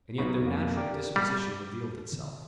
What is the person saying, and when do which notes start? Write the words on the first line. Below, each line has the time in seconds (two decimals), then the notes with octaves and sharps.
And yet their natural disposition revealed itself.
0.18 B1 B3 D#4 F#4 B5
0.42 F2 A#3
0.77 G4 A#4 D5
1.16 G3